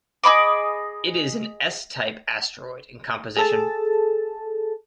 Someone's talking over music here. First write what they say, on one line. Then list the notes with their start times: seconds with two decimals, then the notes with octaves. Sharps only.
It is an S-type asteroid in composition.
0.24 G#4 D#5 B5 D6
3.36 G#4 A4 A5